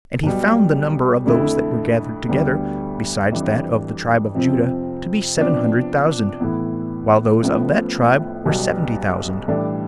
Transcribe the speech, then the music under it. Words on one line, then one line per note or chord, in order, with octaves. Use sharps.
And he found the number of those that were gathered together, besides that of the tribe of Judah, to be seven hundred thousand, while those of that tribe were seventy thousand.
B1 B2 G3
F2 D3 A3 E4 A4
D2 D3 G3 B3
F2 E3 G3 D4
F2 C3 F3 C4
C3 F3 B3 D4
A2 E3 B3 E4
A1 A2 F3 B3
B1 B2 G3
A2 E3 G3 D4 A4